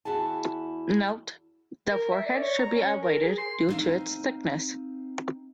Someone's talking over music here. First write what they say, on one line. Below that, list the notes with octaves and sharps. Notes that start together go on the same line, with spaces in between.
Note: The forehead should be avoided due to its thickness.
E2 E4 F#4 G#4 A5
A#4
E5
D5
C#5
A#5
C#4
A#4
G#4
C6
C4 D#4 F5